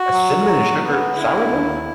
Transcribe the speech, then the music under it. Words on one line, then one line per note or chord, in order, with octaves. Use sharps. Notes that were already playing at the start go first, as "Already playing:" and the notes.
a cinnamon and sugar sourdough?
Already playing: F#4
F#3
F#3
B3
D3 E4
D#2